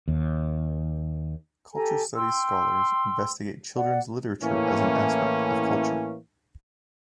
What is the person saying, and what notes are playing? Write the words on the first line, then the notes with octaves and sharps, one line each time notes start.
Culture studies scholars investigate children's literature as an aspect of culture.
D#2
G4 A4 G#5 A#5
G5 C6 E6
D5 F#5
A2 E3 A#3 C#4